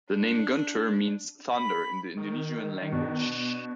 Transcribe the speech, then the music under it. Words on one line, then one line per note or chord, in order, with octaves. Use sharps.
The name Guntur means "thunder" in the Indonesian language.
D4
B5
D#3
B2 D4